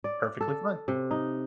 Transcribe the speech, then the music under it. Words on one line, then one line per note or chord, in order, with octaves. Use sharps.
Perfectly fine.
D5
A4
C3
D#4